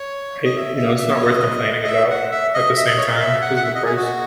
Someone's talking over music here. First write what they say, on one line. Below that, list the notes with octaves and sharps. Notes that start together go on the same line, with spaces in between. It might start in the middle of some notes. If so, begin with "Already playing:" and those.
I you know, it's not worth complaining about at the same time 'cause of the price.
Already playing: C#5
D#5
E5
E5
E5
C#5
D#5
D#5
E5
F#5
E5
D#5
E5
D#5
C#5
E5
F#5
F#5
E5
D#5
G#4
F#4